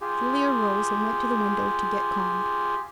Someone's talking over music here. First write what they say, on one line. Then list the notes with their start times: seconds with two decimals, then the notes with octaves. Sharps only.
Julia arose and went to the window to get calmed.
0.01 F4 G4 G#4